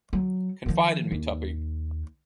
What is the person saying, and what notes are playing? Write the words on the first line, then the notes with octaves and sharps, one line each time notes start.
Confide in me, Tuppy.
F#3
D#3 F3
D#2